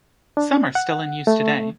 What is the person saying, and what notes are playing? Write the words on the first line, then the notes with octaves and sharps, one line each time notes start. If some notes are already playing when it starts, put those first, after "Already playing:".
Some are still in use today.
D4
F#5
A3